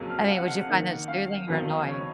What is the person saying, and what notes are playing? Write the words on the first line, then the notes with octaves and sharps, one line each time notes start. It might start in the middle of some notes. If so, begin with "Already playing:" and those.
I mean, would you find that soothing or annoying?
Already playing: F2 C#3 F#3 A#3
F6
F#5
F5
F#5
D#3 A#3 D#4
F5
F2 D#3 F#3 B3 D#4
C#5